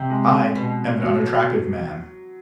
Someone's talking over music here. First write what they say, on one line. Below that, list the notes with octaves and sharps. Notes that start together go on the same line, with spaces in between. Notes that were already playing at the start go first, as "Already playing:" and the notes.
I am an unattractive man.
Already playing: C3
G#3
B2
F#3
F#3